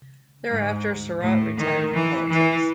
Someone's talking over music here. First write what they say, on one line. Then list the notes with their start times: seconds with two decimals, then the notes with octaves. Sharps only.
Thereafter Sarraut retired from politics.
0.48 G#2
1.21 A2
1.58 D#3
1.94 E3
2.29 E3